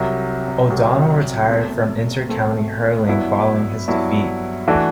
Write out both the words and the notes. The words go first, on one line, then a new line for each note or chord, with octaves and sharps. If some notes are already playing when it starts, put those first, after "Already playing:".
O'Donnell retired from inter-county hurling following this defeat.
Already playing: C2 C3 F#3
C2 C3 F#3
C2 B2 A3 C4
C2 B2 A3 C4
G2 F#3 B3 E4
G2 F#3 B3 E4
E3 A3 D4 F#4